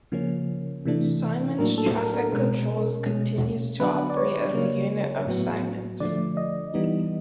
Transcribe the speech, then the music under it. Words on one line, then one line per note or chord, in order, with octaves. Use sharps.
Siemens Traffic Controls continues to operate as a unit of Siemens.
C#3 F3 A#3 C#4
C3 E3 A3 D4
A2 F#3 A#3 D4 A#4
A4
A#4
A#4
B2 G#3 C#4 A#4
B2 G#3 C#4
D3 F#3 B3 D4 B4
D5
C#5
C#3 F#3 A#3
A2 F#3 B3
D3 F3 A3 D5
D#5
E3 G3 B3 D#4